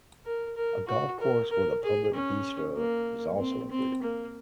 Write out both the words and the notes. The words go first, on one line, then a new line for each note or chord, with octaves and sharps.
A golf course with a public bistro is also included.
A#4
A#4
F#4
A#4
A#4
G#4
C#4
A#3
C4
C4
A#3